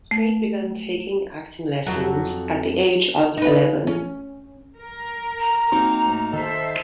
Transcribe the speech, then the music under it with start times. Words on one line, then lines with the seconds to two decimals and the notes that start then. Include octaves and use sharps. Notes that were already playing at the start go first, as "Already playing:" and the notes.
Strait began taking acting lessons at the age of eleven.
0.11 A3
1.86 F2 F#3
3.37 D#4 B4
3.87 C#4
4.78 A#4
5.40 A#5
5.72 A#3 C4 D#4 F#4
6.04 A2
6.33 D#3 A4 C5 E5